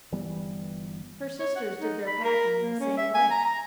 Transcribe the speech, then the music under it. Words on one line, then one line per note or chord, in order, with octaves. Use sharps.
Her sisters did their packing in the same way.
G1 E3 G3 B3
C#5
F#5
D#4
B5
A#4
A#3
C#4
E5
G#5
A#5
A#5